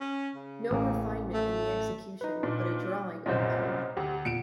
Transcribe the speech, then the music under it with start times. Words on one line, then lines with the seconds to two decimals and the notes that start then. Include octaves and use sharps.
No refinement in the execution, but a drawing on metal.
0.01 C#4
0.36 C#3
0.71 A1 A#3
1.34 A3
2.21 D#4 B4
2.43 A#2 D4
3.26 C2 F#2 A#2 C5 C#5 D#5
3.97 D2 G4
4.25 E2 A#2 C#7 D7 E7